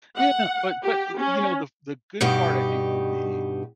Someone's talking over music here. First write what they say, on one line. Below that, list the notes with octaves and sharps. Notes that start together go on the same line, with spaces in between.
Yeah, but but, you know, the the good part I think will be
F#5
G4
C#4
G2 B2 D#4 G4